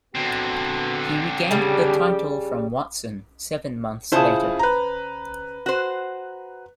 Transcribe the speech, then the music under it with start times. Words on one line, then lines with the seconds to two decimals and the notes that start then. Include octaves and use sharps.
He regained the title from Watson seven months later.
0.15 D3 B3 C4 F#4
1.51 C#3 G3 G4
4.12 C#3 E4 F4 G#4 C5 A5
4.59 B4 A#5
5.66 F#4 C5